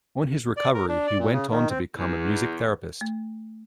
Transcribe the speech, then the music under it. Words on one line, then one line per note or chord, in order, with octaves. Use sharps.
On his recovery he went on to become a music therapist.
D5
A#4
D4
D5
A#2
C#3
D#3
C4
E2
A3